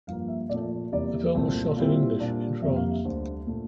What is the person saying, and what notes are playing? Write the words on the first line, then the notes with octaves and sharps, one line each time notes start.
The film was shot in English in France.
G2 F3 A#3 F5
E5
A#2 F3 A3 D5
E2 C3 G3 A#3 E4 D5
C2 A#2 A3 C4
A#2 G3 C4 E4
A#2 G3 D4
F2 C3 G3 A#3 E5
F5
E5
D2 D3 G3 C5
A#2 A3